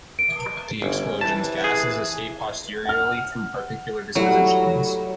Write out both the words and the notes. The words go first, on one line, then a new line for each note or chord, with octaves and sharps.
The explosions’ gases escape posteriorly through particular dispositions.
D7
G1 C#4
C3 E3 A5
G#4
F#5 F6
F#3 G3 A3 E4